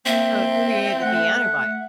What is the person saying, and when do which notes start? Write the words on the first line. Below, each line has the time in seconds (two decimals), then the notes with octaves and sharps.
So, it created the antibio
0.06 A#3 C4 E5
1.02 A3 F#5